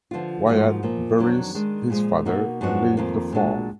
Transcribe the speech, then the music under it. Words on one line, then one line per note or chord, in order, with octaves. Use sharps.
Wyatt buries his father and leaves the farm.
D3 F3 B3 F4
G#2 F3 A#3 D#4 F#4
A#2 F3 A#3
F2 D#3 F#3 D4
D#3 G#3 D4
A#2 F3 G#3
B2 A#3 D#4 F#4
F#2 F3 B3 D4 F#4
F2 D#3 A#3 F4
A#2 G#3 D4 F#4